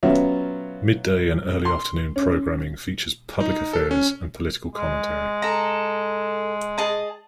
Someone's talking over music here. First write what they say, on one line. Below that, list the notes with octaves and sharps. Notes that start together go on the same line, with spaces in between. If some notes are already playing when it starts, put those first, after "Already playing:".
Midday and early afternoon programming features public affairs and political commentary.
F#3 B3 C#4 F4 E5
C6
C#4
D#4
A4
C#4
G#3
A4 A#5
G#4 D#5 A5